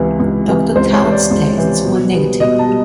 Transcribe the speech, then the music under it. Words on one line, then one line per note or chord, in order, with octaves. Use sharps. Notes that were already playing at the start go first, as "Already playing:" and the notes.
Doctor Tart's tests were negative.
Already playing: C#2 C3 E3
C#2
C3 E3
C#2 C5
C#5
C3 E3
D5
C#2
C3 E3
B2
G3 B3
B2 D#5
A5
G3